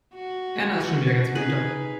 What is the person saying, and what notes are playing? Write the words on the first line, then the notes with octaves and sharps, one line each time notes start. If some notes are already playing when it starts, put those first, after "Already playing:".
Erna ist schon wieder ganz munter.
F#4
D#4 G#4 B4